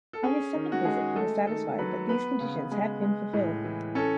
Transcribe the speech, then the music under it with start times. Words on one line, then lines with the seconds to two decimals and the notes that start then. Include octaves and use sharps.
On his second visit he was satisfied that these conditions had been fulfilled.
0.13 A4
0.23 C#4 G#4
0.54 D#3
0.72 F#4
0.85 G#3 G#4
1.16 A3 A4
1.47 D#3 A4
1.78 F#3 B4
2.09 B3 B4
2.40 C#3
2.71 G#3
3.02 G#3
3.33 A2
3.64 E3
3.95 C#4 A4